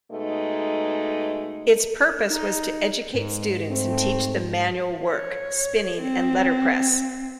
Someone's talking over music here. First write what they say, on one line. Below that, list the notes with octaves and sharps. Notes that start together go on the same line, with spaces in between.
Its purpose was to educate students and teach them manual work: spinning, and letterpress.
B2 G#3 A3 D#4
D#4
G#2
A3 C4
C#5
C4